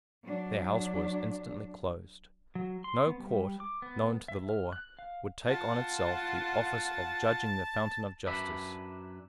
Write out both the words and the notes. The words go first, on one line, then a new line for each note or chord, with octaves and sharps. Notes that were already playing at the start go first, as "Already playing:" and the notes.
Their house was instantly closed. No court, known to the law, would take on itself the office of judging the fountain of justice.
F#3 D4
F#3
C6
B3
G3
D6
B3
E5
F6
F#6
F5
F4 F#5 A5
F#2 D4 B4 E5